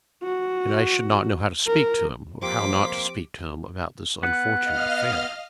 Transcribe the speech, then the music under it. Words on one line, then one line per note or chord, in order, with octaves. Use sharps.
And I should not know how to speak to him, or how not to speak to him, about this unfortunate affair.
F#4
A#4
F3 A#3 C4 G4 C6 D6 B6
B3 F#5 F#6
D#5 F5 F6